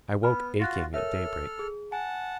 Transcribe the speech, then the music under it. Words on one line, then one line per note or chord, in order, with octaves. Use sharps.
I woke aching at daybreak.
B3 B5 F6
F4 F#4 F#6 A6 A#6
A4 A#4 C#5 E5 F6
G#4
F#5 G#5 A5